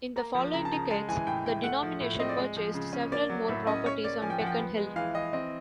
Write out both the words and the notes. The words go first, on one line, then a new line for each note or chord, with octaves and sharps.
In the following decades, the denomination purchased several more properties on Beacon Hill.
A#3 A#5
F3
C#3 A#5
A5
C#3 A#5
G#3 A5
E3 G#5
A2 G5
A2 G5
A3 F#5
F3
A2
C4 D#5
D5
G#3
F3
C#3
C#4
A#3 D5
F#3
A2 E5
C#4 D#5
C#4 C#5
A#3 D5
F3 G#5
G5
F3 F#5
G5
B3
G#3
E3 F5
E3 D#5
C4 D#5